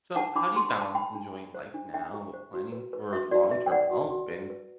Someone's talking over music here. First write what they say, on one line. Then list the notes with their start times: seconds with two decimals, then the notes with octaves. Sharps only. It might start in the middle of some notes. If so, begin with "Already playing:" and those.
So, how do you balance enjoying life now with planning for long-term help in
0.16 D4 F#5 A5
0.35 D4 B5 D6
0.56 G4 C6
0.69 B5
0.76 C5
0.82 A5
0.95 D4 G5 B5
1.15 D4
1.35 G4
1.55 C5
1.74 D4
1.94 D4 E5 G5
2.14 G4
2.34 C5
2.54 F#4
2.72 B4
2.93 B4
3.12 F#4 E5
3.31 F#4 D5
3.51 B4 E5
3.66 G5
3.71 B4 D5 F#5
3.91 F#4
4.10 F#4
4.31 B4
4.50 B4